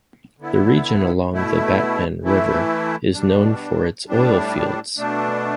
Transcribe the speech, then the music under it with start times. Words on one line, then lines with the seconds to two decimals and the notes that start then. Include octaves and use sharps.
The region along the Batman River is known for its oil fields.
0.39 D3 B3 E4
1.31 B2 A3 E4
2.22 E3 A3 E4
3.14 B2 G3 D4
4.06 A2 G3 D4
4.98 B2 A3 D4